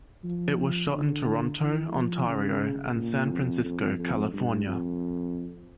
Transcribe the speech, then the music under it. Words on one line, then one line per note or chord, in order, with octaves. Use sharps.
It was shot in Toronto, Ontario, and San Francisco, California.
F3
D3
E3
F3
C#3
A#2
F2
F2
F2
G2
F2